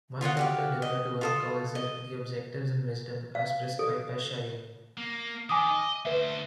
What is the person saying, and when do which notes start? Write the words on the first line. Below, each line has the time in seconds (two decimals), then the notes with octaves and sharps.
One Doctor Dipertua calls it "the objectives and wisdom" as "prescribed by Shariah".
0.21 F4 C#5 D#5 F#5
0.37 F#4 G4 F5
0.82 D#5
1.21 F4 A4 D#6
1.75 D#5
3.35 F5
3.79 A4
4.97 A#3
5.49 D#3 G#5 D6 D#6
5.71 D#5
6.05 D2 B4 C5 E5